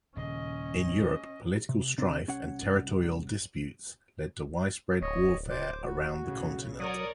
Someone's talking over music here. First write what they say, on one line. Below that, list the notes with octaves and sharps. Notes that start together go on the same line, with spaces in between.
In Europe, political strife and territorial disputes led to widespread warfare around the continent.
D#1 C#3 C#4 D#5
C3
C3 C4 D4
C2 C#4 C#5 F#5
D1 C#5 D#5
C5 D6
F#4
B1 A2 C#3
F#3 A#4 C#5 D5 D#6